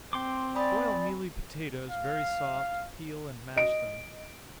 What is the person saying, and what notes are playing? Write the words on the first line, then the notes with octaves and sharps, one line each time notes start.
Boil mealy potatoes very soft, peel and mash them.
C4 G5 C6 D6
D5 G#5 B5 D#6
F5
D#5 D7